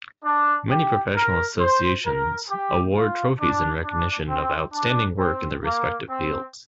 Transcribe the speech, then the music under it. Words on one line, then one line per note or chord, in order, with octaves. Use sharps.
Many professional associations award trophies in recognition of outstanding work in their respective fields.
D4
G4
A#4
C5
A#4
G4
F4
D4
D4
C4
D4
C4
A#3
C4